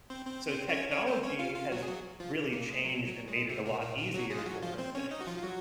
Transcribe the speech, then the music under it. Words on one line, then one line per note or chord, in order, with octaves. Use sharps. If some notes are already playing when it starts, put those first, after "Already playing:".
So, technology has really changed and made it a lot easier to learn things.
C4 C5
C4 C5
C4 C5
C#4 C#5
C#4 C#5
C4 C5
C#4 C#5
F4 F5
F4 F5
F#3 F#4
G#4
F#3 F#4
F3 F4
A#2 A#3
G#3
F#3
F#3
G#3
C3 C4
A#2 A#3
A#2 A#3
A#2 A#3
F#3 F#4
G#3 G#4
F4
F#3 F#4
F3 F4
C4 C5
C#4 C#5
D#4 D#5
F#4
F3 F4
F4
F#3 F#4